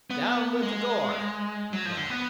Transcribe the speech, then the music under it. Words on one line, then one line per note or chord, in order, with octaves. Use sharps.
"Down with the door!" he cried.
B3
G#3
F#3
F3
D3
B3